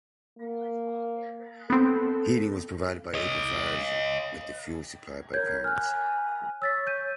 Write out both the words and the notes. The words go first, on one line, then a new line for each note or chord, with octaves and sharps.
Heating was provided by open fires with the fuel supplied by parents.
A#3
B3 C4 A4
C#5 D#5
A#4 C#5 G6 G#6
G#5 F6 F#6
C#5 E6 A6 B6
G6 D#7